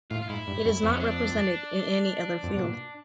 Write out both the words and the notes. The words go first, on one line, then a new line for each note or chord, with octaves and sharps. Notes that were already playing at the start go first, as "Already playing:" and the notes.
It is not represented in any other field.
A2 F4
F4
G#2 E4
G2
F#2
F2 C4
C#4
D4
F2
B2
A#2